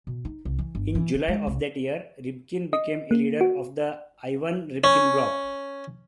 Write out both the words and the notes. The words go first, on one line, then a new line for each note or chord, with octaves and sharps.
In July of that year, Rybkin became a leader of the Ivan Rybkin Bloc.
B2
D#4
C2
E3
G1
E3
D#3
G#3
C2
D#5
A#3
F#4
C#4